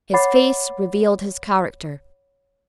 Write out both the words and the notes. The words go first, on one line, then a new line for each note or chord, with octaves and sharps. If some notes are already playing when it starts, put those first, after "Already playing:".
His face revealed his character.
C#5 F#5 B5 D6 A6 C7